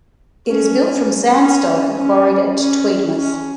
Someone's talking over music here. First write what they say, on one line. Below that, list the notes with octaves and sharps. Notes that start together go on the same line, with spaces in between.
It is built from sandstone quarried at Tweedmouth.
C#4
C#4
C#4
C#4
C#4